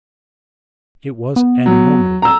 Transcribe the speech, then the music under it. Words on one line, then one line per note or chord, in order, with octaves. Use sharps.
It was an enormity.
B3
F#3
A#5 E6